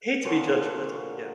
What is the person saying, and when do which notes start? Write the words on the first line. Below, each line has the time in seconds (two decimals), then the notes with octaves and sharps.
Hate to be judgmental yeah.
0.25 A#2 D3 F3 F#3